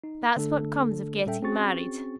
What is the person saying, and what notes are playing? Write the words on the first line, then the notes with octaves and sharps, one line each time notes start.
That's what comes of getting married.
D#4
D3 A3 D4 A4
A#2 G3 C#4 A4 E5 G5
C4 C#4 F#4 G#4 C#6 A6